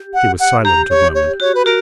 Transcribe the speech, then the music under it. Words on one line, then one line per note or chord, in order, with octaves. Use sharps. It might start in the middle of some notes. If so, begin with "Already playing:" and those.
He was silent a moment.
Already playing: G4
F#5
F#5
G4 A#5
C#5
C#5
F#4 C#5
B4
F#4 A#4